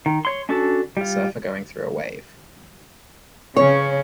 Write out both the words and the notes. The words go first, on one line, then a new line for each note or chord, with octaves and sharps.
A surfer going through a wave.
D#3
C#5 C6
C#4 D4 F#4 A4
G3 F4
C#3 C#4 C#5